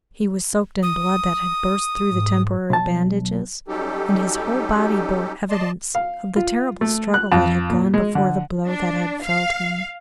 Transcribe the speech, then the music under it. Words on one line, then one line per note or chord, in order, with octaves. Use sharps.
He was soaked in blood that had burst through the temporary bandages, and his whole body bore evidence of the terrible struggle that had gone before the blow that had felled him.
D#6
G#2
B1 A5
F#3 G3 C#4 D#4 G4 A4
D5 D#5 A5 C6
F5
F4
A3
F#6
F2
A#2
G#3
D3
D4
F5